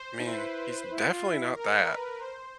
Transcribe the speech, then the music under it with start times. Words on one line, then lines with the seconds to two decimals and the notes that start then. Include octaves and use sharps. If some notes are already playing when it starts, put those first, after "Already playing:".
I mean, he's definitely not that.
Already playing: C5
0.19 D#4
0.25 E4 B4
0.90 E4
1.12 F4
1.33 E4
1.55 A#4
1.87 B4
2.20 C5